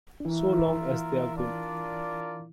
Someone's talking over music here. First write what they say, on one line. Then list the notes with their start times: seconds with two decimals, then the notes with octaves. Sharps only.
So long as they're good.
0.20 D4
0.25 E3 A#3 E4 F4 A#4 E5
1.34 D4 F4 A#4 D5